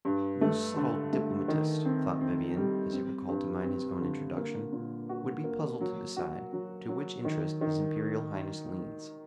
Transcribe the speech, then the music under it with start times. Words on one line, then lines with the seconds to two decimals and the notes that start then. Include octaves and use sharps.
"The most subtle diplomatist," thought Vivian, as he recalled to mind his own introduction, "would be puzzled to decide to which interest his imperial highness leans."
0.05 G2
0.41 A3
0.76 D3
1.13 A3
1.48 D#3
1.85 C4
2.21 C4
2.57 G3
2.93 C4
3.28 G2
3.65 C4
4.01 D3
4.37 A#3
4.73 A#2
5.09 F#4
5.44 A#3
5.81 F#3
6.17 F#4
6.53 F#3
6.89 F#3
7.25 D#3
7.61 D#3